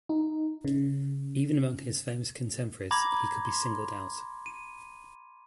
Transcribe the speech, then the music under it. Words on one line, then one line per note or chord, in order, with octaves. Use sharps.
Even among his famous contemporaries he could be singled out.
D#4
C#3
A#5 B5 D6 G#6 A#6
C6
D#7